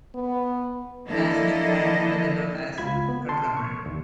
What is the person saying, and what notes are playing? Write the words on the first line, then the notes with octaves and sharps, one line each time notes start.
Laskin identified the law as colourable.
B3
F3 A#3 D4 E4 A4 D#5
C#2 F4 B5 G#6
B3
A5 C6
C#6
D#2